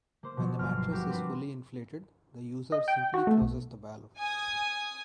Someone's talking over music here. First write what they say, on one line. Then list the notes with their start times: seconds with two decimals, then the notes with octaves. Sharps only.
When the mattress has fully inflated, the user simply closes the valve.
0.23 A#3 C5
0.37 B2 F3 F#3
0.59 G1 G#3 F6
0.76 C7
0.91 B3 F#4 G4 A#4
1.09 C4 D4 B4 C5
2.72 D#5
2.88 G5
3.14 F#4
3.27 A3
3.41 B1
4.19 G#5 D#6